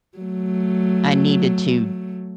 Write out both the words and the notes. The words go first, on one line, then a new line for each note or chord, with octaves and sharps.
I needed to
F#3 A3